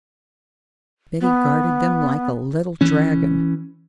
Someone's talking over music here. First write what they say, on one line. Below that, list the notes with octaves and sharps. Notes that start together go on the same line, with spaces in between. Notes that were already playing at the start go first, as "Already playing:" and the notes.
Betty guarded them like a little dragon.
B3
E3 C#4